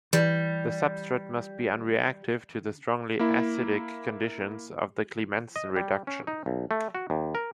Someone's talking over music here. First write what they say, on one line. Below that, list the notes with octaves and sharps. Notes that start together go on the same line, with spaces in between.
The substrate must be unreactive to the strongly acidic conditions of the Clemmensen reduction.
E3 G3
A#3 E4
D#5
G3
C#4
D#4
B1
A3
F#4
D#2
A#4